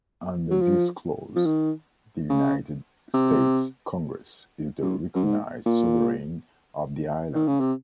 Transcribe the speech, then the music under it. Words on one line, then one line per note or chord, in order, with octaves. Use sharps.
Under this clause, the United States Congress is the recognized sovereign of the island.
F#3
F3
F3
D#3
C#3
C3
F#2
F#2
G#2
A#2
D#3
C#3
C3